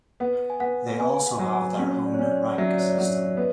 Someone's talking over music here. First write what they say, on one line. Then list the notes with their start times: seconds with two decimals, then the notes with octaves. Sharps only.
They also have their own rank system.
0.20 B3 F#5
0.50 G#5
0.60 B3 F#5
1.00 B3 G#5
1.14 G#5
1.26 F#5
1.39 F#3
1.53 G#5
1.79 C#4 F#5
2.05 D5
2.14 C#5
2.19 C#4 D5
2.32 C#5
2.58 F#3 E5
2.69 D5
2.79 C#5
2.90 D5
2.98 F#3
3.37 B3